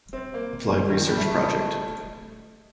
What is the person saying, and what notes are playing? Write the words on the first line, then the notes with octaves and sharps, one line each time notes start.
Applied Research Project.
C4
A#3
D#3
F3
G3
A3